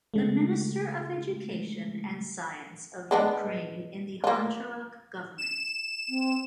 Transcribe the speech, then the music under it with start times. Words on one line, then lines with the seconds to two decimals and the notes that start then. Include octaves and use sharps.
The Minister of Education and Science of Ukraine in the Honcharuk Government.
0.14 C#3 G#3 A3
3.11 G#3 B3 D4
4.24 A#3 F4
5.38 E7
6.09 C4